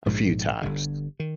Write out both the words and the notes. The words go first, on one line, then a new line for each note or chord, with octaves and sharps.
a few times.
A#1 G#2 F3 G#3
G1 G2 D3
D#3